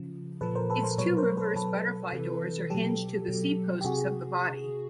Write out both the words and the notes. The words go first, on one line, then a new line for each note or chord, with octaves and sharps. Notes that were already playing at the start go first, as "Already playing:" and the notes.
Its two reverse butterfly doors are hinged to the C-posts of the body.
Already playing: C#3 F3
A#2 F3 A4 B4
A#4 C5
A4 B4
A#4 C5
B2 F#3 B4 C#5
A#4 C5
A4 B4
B2 F#3 A4 B4
C3 E3
B2 F#3 G4 A4
B2 F#3
G4
C3 F#4 G#4